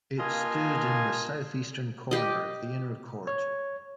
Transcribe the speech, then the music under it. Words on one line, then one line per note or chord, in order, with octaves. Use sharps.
It stood in the south-eastern corner of the inner court.
G2 A#3 F4 D#5 G#5
G4 D#5
C#5